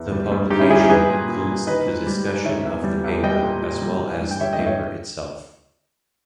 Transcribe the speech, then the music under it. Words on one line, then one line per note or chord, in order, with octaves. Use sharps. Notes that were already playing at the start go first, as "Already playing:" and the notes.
The publication includes the discussion of the paper as well as the paper itself.
Already playing: E2
G3
G2
G2 D#4 G4
C#4 E4
G3 E4 G#4
D#4 G4
G3 G#4 B4
A#2
A#2
G3
D#3 B4 D#5
G#2
G3
G#2
D#3 C#5 E5
E2
G3
E2
G3 D#5 G5
A#2
A#2
G3
E3
G2
G5
G3 C#5 E5
D#5 G5
G2
C#5 E5